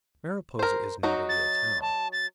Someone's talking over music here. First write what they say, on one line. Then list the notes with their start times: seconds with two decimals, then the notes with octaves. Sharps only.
Mariposa is not a real town.
0.59 A#4 C5
1.03 F#3 D#4 F#4
1.29 A6
1.82 A5
2.13 A6